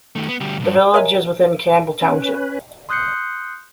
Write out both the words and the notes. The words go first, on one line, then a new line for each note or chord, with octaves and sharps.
The village is within Campbell Township.
D#3 A3
B3
D2 G3
B1 G2
A#4 C#5 E5 G#5 A#5
C#4 B4
C6 D#6 F#6 G6 C7 C#7